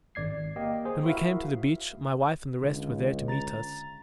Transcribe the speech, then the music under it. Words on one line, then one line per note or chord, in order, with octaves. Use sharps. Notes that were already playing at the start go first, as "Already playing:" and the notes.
When we came to the beach, my wife and the rest were there to meet us.
G#1 D5 G#6 C7
A#3 G4 D#5 G5
G#4 C5
E4 F#4 A#4 E5 F5
C#2 D3
A#5 A6